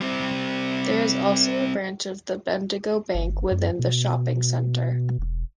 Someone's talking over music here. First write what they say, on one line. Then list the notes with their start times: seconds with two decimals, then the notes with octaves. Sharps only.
There is also a branch of the Bendigo Bank within the shopping centre.
0.01 G3 C4
3.14 G1
3.51 F#2
3.79 B2
5.18 E1